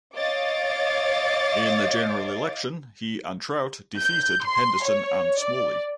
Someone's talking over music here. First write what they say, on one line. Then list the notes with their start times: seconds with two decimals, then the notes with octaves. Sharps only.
In the general election he and Trout defeated Henderson and Smalley.
0.16 C#5 D#5 F5 D6 A6
3.98 G6
4.45 C6
4.85 C#5
5.40 D5